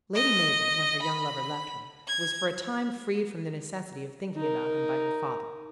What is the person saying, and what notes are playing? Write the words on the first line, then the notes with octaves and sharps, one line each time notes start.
Lady Mabel, when her young lover left her, was for a time freed from the necessity of thinking about him by her father.
D#5
B5
G#6
D#4 A#4